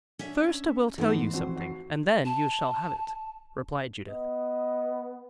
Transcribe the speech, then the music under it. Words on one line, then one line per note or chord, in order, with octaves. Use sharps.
"First I will tell you something, and then you shall have it," replied Judith.
C#4 D4 E5
G#2 E3 A3 B3 C5
F3 C4 F#4
F#4 C7
A5
B3 D#5